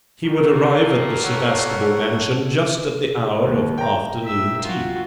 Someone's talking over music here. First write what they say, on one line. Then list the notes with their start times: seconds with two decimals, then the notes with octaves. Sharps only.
He would arrive at the Sebastable mansion just at the hour of afternoon tea.
0.24 G3 A3 A#3
1.23 A4 C#5 F#5
3.47 D#2
3.78 G5 A#5
4.25 E5
4.62 F4 F#4